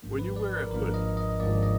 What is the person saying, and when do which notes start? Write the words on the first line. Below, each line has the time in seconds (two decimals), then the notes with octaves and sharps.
when you wear a hoodie
0.02 G#1 G#2 F3 A#3 D4
0.19 B4
0.36 D5
0.54 A#4
0.71 G#1 G#2 F3 A#3 D4 A#4
0.94 D#5
1.17 D#5
1.40 G#1 G#2 F3 A#3 D4 D5
1.63 D#5